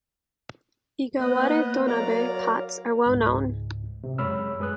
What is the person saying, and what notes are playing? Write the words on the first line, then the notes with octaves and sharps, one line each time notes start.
Iga ware "donabe" pots are well-known.
A#3 B3 C5 D#5 F#6
F#3 A#4 C#5 D5 F5 A#5
C#2 G#2
C3
F#2 G#3 C#5 B5 E6 F6
G#3 B4 D#6 F#6